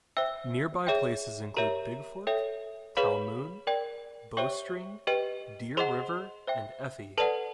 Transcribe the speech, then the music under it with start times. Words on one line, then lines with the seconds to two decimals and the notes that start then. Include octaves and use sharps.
Nearby places include Bigfork, Talmoon, Bowstring, Deer River, and Effie.
0.17 C5 E5 G5 E6
0.87 G#4 C#5 E5 G5
1.57 G4 A#4 C#5 E5 A#5
2.27 A4 C#5 E5 G5
2.97 G#4 B4 C#5 F5 B5
3.67 A#4 D5 G5
4.37 G4 C5 C#5 E5 G5 C#6
5.07 G4 B4 D#5 G5
5.77 G#4 C5 D#5 F#5 C6
6.47 C5 E5 G5
7.17 A4 B4 D5 F#5 A5